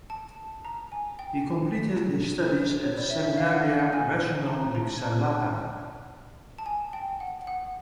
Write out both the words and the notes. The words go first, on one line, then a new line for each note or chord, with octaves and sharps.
He completed his studies at Seminario Regional de Xalapa.
A5
A#5
G#5
G5
C#5
D5
E5
E5
F5
F#5
F5
F#5
G#5
A5
A#5
A5
A5
G#5
G5
F#5
F#5